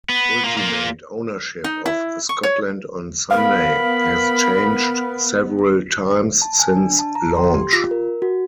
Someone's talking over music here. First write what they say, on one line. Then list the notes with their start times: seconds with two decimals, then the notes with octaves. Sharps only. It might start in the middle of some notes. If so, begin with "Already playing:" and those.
Ultimate ownership of "Scotland on Sunday" has changed several times since launch.
0.09 B3
0.44 A#3 F4
0.57 A#3 F4
1.64 D#4
1.86 E4
2.29 C#6
2.43 C#5
3.31 B3 A#4 F5 B5
6.42 A5
6.60 G#5
6.77 D4
6.99 A5
7.15 A#5
7.36 C6
7.54 G4
7.73 F4
7.91 A#4
8.22 F#4